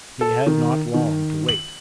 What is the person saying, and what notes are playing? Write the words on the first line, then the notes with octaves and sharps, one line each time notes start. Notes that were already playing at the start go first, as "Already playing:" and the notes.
He had not long to wait.
A4
D#3
D#3
F#7